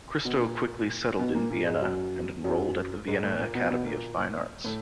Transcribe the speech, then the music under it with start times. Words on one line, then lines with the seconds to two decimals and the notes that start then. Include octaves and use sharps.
Christo quickly settled in Vienna and enrolled at the Vienna Academy of Fine Arts.
0.25 B2 B3
0.40 A#2 A#3
1.19 B2 B3
1.35 A#2 A#3
1.50 A#2 A#3
1.66 G#2 G#3
1.82 F#2 F#3
2.44 F#2 F#3
3.08 G#2 G#3
3.23 A2 A3
3.39 A#2 A#3
3.55 B2 B3
3.70 B2 B3
3.86 A#2 A#3
4.64 A2 A3